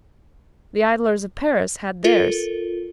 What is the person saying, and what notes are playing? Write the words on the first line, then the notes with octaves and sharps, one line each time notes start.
The idlers of Paris had theirs.
F4 A4 A#4